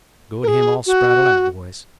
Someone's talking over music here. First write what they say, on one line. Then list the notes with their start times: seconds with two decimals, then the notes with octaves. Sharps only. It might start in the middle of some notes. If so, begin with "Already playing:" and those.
Go to him all spraddled out, boys.
0.43 A#4
0.48 G#4
0.87 F#4